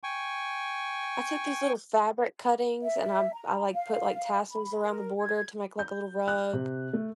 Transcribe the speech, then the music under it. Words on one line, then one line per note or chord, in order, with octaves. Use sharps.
I took these little fabric cuttings and I'm I, like, put, like, tassels around the border to make, like, a little rug,
G5 G#5 C#6
E5
A#5
F5
B5
A#4
G#6
G6
F#6
C3
A3